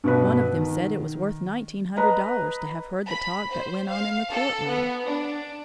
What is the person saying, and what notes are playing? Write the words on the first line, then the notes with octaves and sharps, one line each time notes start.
One of them said it was worth nineteen hundred dollars to have heard the talk that went on in the court-room.
G2 B2 B4
D#3
B4 D#5 A#5
B5
C5
F5
A4
B3
D4